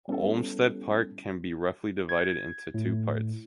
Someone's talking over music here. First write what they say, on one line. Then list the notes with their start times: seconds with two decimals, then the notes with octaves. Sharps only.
Olmsted Park can be roughly divided into two parts.
0.08 G3 B3 C#4 E4 G4 A4
2.09 G#6
2.74 A2